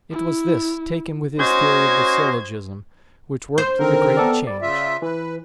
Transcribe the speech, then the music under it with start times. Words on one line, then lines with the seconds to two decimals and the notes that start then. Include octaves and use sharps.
It was this, taken with his theory of the syllogism, which worked the great change.
0.11 E4
1.40 C#4 F#4 C5 D#5 G#6
3.58 C5
3.79 D3 D#3 C4 A#4
4.17 B3 A4 D5
4.47 G3 D5
4.61 C#3 F4 E5
5.02 E3 B4